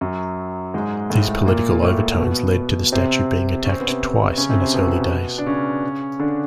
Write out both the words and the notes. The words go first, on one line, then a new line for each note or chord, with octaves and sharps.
These political overtones led to the statue being attacked twice in its early days.
F#2 F#3
G#2 G#3
A2 A3
A#2 A#3
A2 A3
B2 B3
C3 C4
C#4
C4
B3
C3 C4
C#3 C#4
C3 C4
C3 C4
B2 B3
D4
C#3 C#4
D3 D4